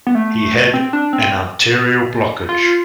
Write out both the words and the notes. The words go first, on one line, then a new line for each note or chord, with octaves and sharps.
He had an arterial blockage.
B3
A3
C4
D4
C4
F4